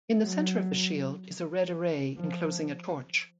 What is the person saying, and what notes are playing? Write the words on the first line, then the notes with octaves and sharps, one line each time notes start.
In the center of the shield is a red array enclosing a torch.
F#3
F3